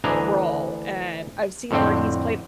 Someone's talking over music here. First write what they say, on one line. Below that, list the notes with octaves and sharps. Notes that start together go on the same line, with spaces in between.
role, and I've seen it where he's played
D2 E3 D4 D#5 G#5 A#5
F2 A2 D3 C4 G5